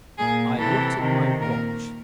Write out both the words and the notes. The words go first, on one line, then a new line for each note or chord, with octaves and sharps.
I looked at my watch.
A#2 G#4
C3 E3 A4
C3 D#3
A#2 A#4